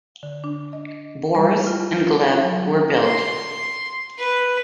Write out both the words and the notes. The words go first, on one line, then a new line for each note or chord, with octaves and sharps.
Boris and Gleb were built.
D3
D4
D#5
G3
F4
F#3
C6
B4